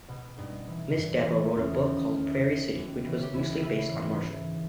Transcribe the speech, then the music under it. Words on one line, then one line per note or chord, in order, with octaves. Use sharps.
Miss Debo wrote a book called Prairie City which was loosely based on Marshall.
B2
G2 D#4
E3
G2
E3
E2 C#4
D#3 D#4
E2
D#3
D#2
C#3 E3
G4
D#2 E4
C#3 E3 E4
G#2
E3